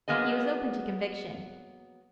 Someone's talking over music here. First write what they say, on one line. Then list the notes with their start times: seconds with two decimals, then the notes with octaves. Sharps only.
He was open to conviction.
0.08 F#3 A#3 B3 G#4 D#5